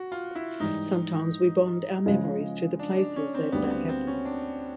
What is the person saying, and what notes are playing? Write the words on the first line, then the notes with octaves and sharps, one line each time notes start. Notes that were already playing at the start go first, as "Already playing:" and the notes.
Sometimes we bond our memories to the places that they happen.
Already playing: F#4
F4
E4
G#2 E3 G3 D#4
C#3 F3 G#3
D4
D4
C#4
C4
D2 D3 G3 A#3 B3
C4
B3
C4
C#4
D4